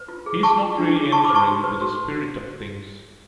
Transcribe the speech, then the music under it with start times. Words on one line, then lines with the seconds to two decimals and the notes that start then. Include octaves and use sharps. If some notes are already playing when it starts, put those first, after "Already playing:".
He's not really entering into the spirit of things.
Already playing: B4
0.08 F4
0.26 G#4
0.43 G#4 A5 C#6
0.61 F4
0.78 D4
0.95 G#4
1.12 G#4 A5 C#6
1.24 B5 D6
1.30 B4
1.35 A5 C#6
1.48 F#4
1.64 B4
1.81 F#4